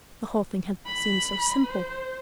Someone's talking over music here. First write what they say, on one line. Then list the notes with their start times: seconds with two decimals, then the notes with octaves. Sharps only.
The whole thing had seemed so simple.
0.86 B5
1.65 C5